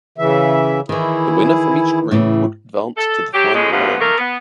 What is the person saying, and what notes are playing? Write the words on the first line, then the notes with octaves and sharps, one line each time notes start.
The winner from each group would advance to the final round.
C#3 E3 E5
D#3 E3 E4 G#4
A2 C#3 E3
A4
F#3 G4
F2 A2 G#3
D2 G2 F3 A3 B3
D#3 A3 A#3 A4 A#4
B3